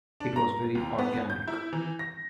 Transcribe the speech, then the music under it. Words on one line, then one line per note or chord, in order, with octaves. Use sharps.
It was very organic.
D4
A#5
D#2
B3
G6
E4
E3
A#6